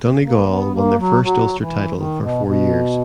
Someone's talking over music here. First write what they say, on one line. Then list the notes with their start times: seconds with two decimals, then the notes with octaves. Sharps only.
Donegal won their first Ulster title for four years.
0.25 A#3
0.50 B3
0.74 A#3
0.99 F#3
1.23 F#3
1.60 E3
1.97 D#3
2.22 B2
2.46 B2